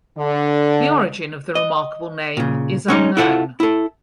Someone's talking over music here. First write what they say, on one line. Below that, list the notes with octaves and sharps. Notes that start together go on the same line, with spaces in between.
The origin of the remarkable name is unknown.
D3
D#5
A#2 C#3
G#3 C#4 D#4
E4 F4 A4 C#5 F#5
E4 A4